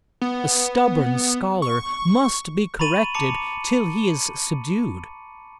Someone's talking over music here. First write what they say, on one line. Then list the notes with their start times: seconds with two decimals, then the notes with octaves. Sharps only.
A stubborn scholar must be corrected till he is subdued.
0.21 B3
1.62 C#6
2.79 A#5 B5 C#6 A6 D#7 F#7
3.15 A5 A#5 D6 C#7